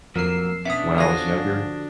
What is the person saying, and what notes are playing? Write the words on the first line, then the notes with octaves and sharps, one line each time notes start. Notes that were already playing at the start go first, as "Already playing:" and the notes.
when I was younger,
F2 F3 F#3 A#3 A#4 E6 C7
B2 B3 C#4 D4 E5 D#6
D3 F3 F#4 C#5 F5 G#5 D#6 A#6